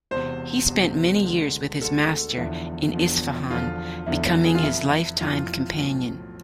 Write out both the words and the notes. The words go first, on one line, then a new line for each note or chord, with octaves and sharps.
He spent many years with his master in Isfahan, becoming his lifetime companion.
E1 E2 C3 C5
E1 E2 C3
D2 D3 G#3
D2 D3 G#3 A4
E1 E2 D3 F3 E4
E1 E2 D3 F3
E1 E2 D3 F3 F4
E1 E2 D3 F3 E4
G#4
F4
F1 F2 E3 E4
F1 F2 E3 F4
B1 A2 F3